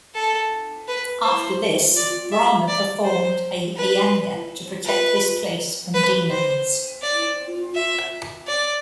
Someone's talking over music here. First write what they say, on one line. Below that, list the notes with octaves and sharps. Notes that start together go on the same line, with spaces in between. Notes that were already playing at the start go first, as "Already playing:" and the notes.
After this Brahma performed a yagna to protect this place from demons.
A4
B4
C5
D5
E5
D5
C5
B4
B4
B4
C5
D5
E5
D5